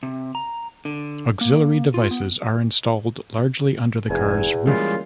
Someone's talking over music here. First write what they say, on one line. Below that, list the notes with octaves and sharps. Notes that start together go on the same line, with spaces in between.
Auxiliary devices are installed largely under the car's roof.
C3
A#5
D3
A#3
F4
B3
F1 E2 G#5
E3 G3 G#3 A#3 C#4 F4 G#4